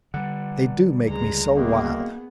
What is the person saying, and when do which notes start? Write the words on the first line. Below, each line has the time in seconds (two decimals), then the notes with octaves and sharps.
They do make me so wild.
0.14 D3 G3 F#5
1.08 D2 C#3 G#3 A#5
1.55 F#2 D#3 A#3 B3 G#4